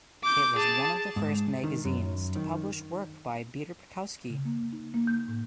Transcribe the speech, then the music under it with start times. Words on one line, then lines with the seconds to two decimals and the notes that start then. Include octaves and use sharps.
It was one of the first magazines to publish work by Peter Bakowski.
0.23 D6 G6
0.56 G#4 A5
1.16 G#2
1.64 D#3
1.85 F#2
2.36 D#3
4.30 C#3
4.45 A#3
4.58 C#3
4.73 D#4
4.94 A#3
5.07 G6
5.28 A2